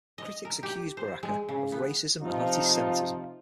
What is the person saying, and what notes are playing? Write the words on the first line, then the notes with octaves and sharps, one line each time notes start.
Critics accused Baraka of racism and anti-Semitism.
D#5
A#4
G4
C5
G#3
C#3
B3
C3 F3 D#4 F4